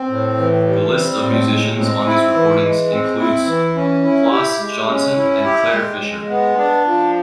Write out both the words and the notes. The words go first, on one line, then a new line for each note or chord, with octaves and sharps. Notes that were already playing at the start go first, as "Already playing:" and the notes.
The list of musicians on these recordings includes Plas Johnson and Clare Fischer.
Already playing: C4
A2
E3
G3
C4
A2
G#3
C4
E4
E3
G#3
C4
E4
E3
C#4
E4
G4
G#3
C#4
E4
G4
G#3
G#3
B3
D4
F3